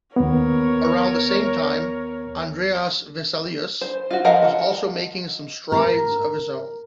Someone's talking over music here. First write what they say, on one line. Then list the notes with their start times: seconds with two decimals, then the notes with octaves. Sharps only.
Around the same time, Andreas Vesalius was also making some strides of his own.
0.16 D#2 B3 A#4 C#5
3.81 C5
4.11 F4 F#4
4.25 F3 A#4 D#5 F5 F#5
5.72 A#4